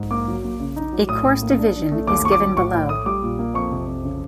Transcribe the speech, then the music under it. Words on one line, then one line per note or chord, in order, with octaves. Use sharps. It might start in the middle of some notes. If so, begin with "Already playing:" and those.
A coarse division is given below.
Already playing: G#2
A#3 D6
F#3
A#3
C#3
D#4
F#3
A2 D#6
A2
A#3
D4
D4
A3
D#2 D6
D#2 C#6
D6
F#3
A2 C#6
A2
A3 D#6
G3 D6
A#2
A#3
F2 C#6
C3
F2
C#3